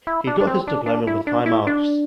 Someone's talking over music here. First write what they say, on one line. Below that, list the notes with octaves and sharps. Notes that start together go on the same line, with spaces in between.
He got his diploma with high marks.
E4
D4
D4
C4
D4
D4
E4
D4
E4
D4